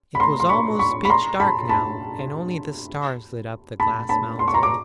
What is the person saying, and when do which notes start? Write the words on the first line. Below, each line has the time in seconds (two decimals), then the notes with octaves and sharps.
It was almost pitch dark now, and only the stars lit up the Glass Mountain.
0.15 B5
0.20 A#5 C6
0.40 C6
0.49 B5 C#6
0.79 B5 C#6
1.05 B5
1.10 A#5 C6
1.40 A5 B5
1.69 A5 B5
3.80 A5 B5
4.09 A5 B5
4.39 C6
4.48 C#6
4.54 A#5 C6
4.63 D6